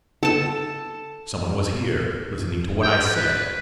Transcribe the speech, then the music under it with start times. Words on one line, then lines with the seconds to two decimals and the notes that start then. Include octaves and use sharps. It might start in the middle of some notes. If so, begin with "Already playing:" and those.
Some one was here--listening to what I said!
0.23 A4 A5
2.83 G5
3.16 B4